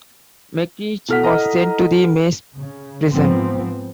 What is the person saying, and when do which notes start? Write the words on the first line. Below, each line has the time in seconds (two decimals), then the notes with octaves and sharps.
McCreesh was sent to the Maze Prison.
1.09 B2 E4 A4 F#5 F6 B6
1.23 D#5 A#5
2.56 C#3
3.12 G#2 F3 B3 C4